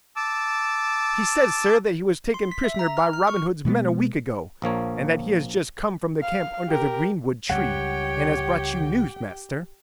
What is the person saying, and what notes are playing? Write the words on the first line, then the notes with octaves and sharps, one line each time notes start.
"He says, sir, that he was taken prisoner by Robin Hood's men a week ago, and that he has just come from the camp under the greenwood tree, and has brought you news, master."
A5 D6 E6
C6
B6
E5
A#5
F6
F6
C#6
B2 G#3 A#3 B3
A#1 F3 A#3 C#5
F5
G4 A#4
C#2 G3 G4 C#5 F#5 G5